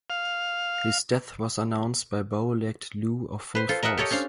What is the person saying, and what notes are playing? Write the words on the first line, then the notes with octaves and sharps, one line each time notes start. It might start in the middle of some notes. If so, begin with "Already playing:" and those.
His death was announced by Bow Legged Lou of Full Force.
F5
B4 C5
F4 A4 C5
A#4 D#5 E5 F#5
G4 A4 C#5 D#5
C#4 D4 C5 F5